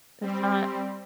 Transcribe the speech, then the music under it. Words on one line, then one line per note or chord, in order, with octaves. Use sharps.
It's not
G3 C4